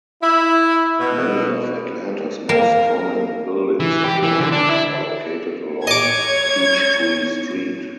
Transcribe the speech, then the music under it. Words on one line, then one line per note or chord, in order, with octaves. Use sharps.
Many of Atlanta's most prominent buildings and landmarks are located along Peachtree Street.
E4
B2
A#3 A#4
E3
G4
E3
D3
D4
E4
C#5 D#5 D6 G#6